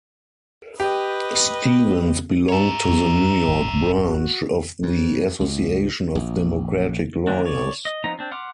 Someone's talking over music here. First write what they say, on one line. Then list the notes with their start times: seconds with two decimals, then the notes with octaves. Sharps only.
Stevens belonged to the New York branch of the Association of Democratic Lawyers.
0.80 G4 B4 D#5
2.49 C#5 E5 A#5
2.88 F2 F#3
3.46 D1 G1 A2
4.05 F#4
4.83 F2
5.40 C#2
6.15 A#1
7.27 D3 D#3 A#3 C4 D4
7.45 C#5 D5
7.85 D#5
8.04 F3 B3 C4 D#4 A#5
8.19 C4 D4
8.31 F#5 B5 C6 D6 F6